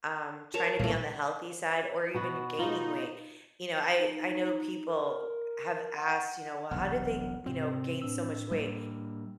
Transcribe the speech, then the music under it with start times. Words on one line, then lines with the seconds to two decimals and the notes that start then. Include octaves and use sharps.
um, tryna be on the healthy side or even gaining weight, you know, I I know people, eh, have asked, you know, "Well, how did they, you know, gain so much weight?"
0.54 A#4 C#5 A5
0.79 A#1 A#2 G3 A3 A#3
2.14 B2 B3 F#4
2.59 D#4 F4
3.98 D#4
4.87 A#4
5.96 F#5
6.71 E1 B1 C3 F#5 F6
7.46 G#2 C3 C4
8.02 A2 D4 E6
8.51 G3 A#3